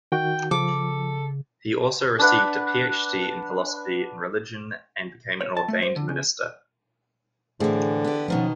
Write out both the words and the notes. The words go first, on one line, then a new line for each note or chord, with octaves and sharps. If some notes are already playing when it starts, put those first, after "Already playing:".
He also received a Ph.D. in philosophy in religion and became an ordained minister.
D#3 F#4 G5
C#3 F3 A4 D6
D4 B4 F#5
C#5
A5
A3
C5
D3
C#3
A2 D3 E3 G#4 C5
B3 G4
B2 D#3 F3 B3 C#4 F#5